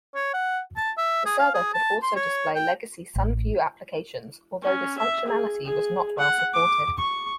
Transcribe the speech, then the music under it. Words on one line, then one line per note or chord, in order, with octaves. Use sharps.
The server could also display legacy SunView applications, although this functionality was not well-supported.
C#5
F#5
A5
E5
G#4
F5
G#4
A5
C6
C#5
G5
A1
C#4
E5
G#4
G#4
F#5
D6
C#6